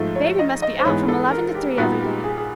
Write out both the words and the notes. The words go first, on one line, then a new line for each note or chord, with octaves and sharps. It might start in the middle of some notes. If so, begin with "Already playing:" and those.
Baby must be out from eleven to three every day.
Already playing: G#2 F3 A3
C#5
D#5
D#5
C5
G#2 E3 G#3 B3 C#5
A4
A#4
G4
A#2 G3 B3 D#4 F#4
G4
G#4
G#4